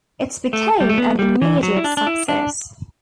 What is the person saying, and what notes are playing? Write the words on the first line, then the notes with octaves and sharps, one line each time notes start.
It became an immediate success.
A3
G3
A3
B3
G3
E3
F#3
E4
D4
D4
E4
D4